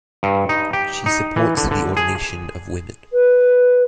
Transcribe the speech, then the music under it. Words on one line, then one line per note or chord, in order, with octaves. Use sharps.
She supports the ordination of women.
G2
D#4
G4
D#4
E3
D3
D3
G#4
B4